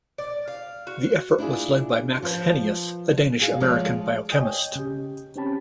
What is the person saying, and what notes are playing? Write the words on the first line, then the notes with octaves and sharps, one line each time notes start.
The effort was led by Max Henius, a Danish-American biochemist.
D5
F5
F#4
D4 E4 F4 G#4
F3 F4 B4 C5
F#4 G#4 F5
F3 G#3 F4 G#4 C#5 D5
C#5 D#5 G5 G#5 D#6 G6
C#3 G4
C4 C#4 G4 A5 B5